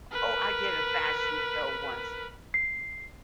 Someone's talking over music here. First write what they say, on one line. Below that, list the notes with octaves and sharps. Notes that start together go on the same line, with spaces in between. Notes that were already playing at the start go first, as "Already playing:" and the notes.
Oh, I did a fashion show once!
A#4 B4
C7